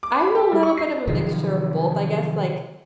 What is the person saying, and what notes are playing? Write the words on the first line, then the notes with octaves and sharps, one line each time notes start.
I'm a little bit of a mixture of both, I guess, like,
D6
B5
G4
G3
C#6
C7
C3 D#3 F3 F#3